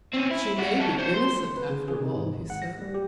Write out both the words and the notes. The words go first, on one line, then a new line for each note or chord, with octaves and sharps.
"She may be innocent, after all," he said.
C4 C#4
E4
E4 F#4
F#3 A4
C5 C#5
C6
B4
C#3
G#4
C3
G#2
G#1
F#5
A#6
G3
G4